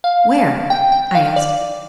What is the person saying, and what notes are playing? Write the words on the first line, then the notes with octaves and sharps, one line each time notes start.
"Where?" I asked.
F5
G5
G5
F5
D5